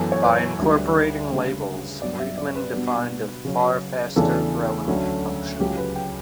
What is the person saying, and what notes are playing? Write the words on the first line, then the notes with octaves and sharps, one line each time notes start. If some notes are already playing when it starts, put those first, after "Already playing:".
By incorporating labels, Friedman defined a far-faster growing function.
Already playing: F#2 E3 B3 A4
C#5
B4
D2 D3 G3
D2 C#3 G3 D4
G2 F#3 B3 D4 D5
E5
D5
B4
B2 G3 B3 D4
C#3 F#3 C#4
E2 C#3 E3 A3 D4 A4
D2 D3 F#3 A3 C#4
C#2 C#3 F#3 G4
B4
G5